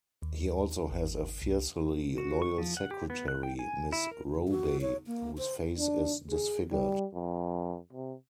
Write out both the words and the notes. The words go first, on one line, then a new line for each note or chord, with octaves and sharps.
He also has a fiercely loyal secretary, Miss Robey, whose face is disfigured.
D#2
G#1
C2
F#4
C#6
F3
F#5
G4
B3
F#6
G5
G#5
E4
A#4
F#4
C#5
A#3
C5
D4
G#4
G3
F2
C3